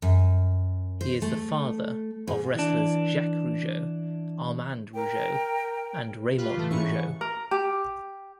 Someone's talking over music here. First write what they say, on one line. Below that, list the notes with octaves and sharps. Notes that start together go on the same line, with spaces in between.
He is the father of wrestlers Jacques Rougeau, Armand Rougeau and Raymond Rougeau.
F#2
C5
A3
G#2
E3 D4
A#4 G5
F4 G4 B4
A2 E3 A3
G#2 C#4 E4 B4 C#6
A#4
G4